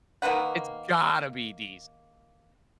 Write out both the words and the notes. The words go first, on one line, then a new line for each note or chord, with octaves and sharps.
it's gotta be decent.
D#3 A#3 B4 F#5